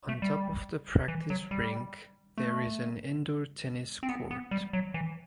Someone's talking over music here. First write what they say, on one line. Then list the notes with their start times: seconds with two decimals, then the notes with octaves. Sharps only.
On top of the practice rink there is an indoor tennis court.
0.09 A3
0.22 G3
1.08 E3
1.30 F#3
1.51 G3
2.38 A3
4.03 C4
4.09 B3
4.31 B3
4.51 G3
4.73 F#3
4.94 E3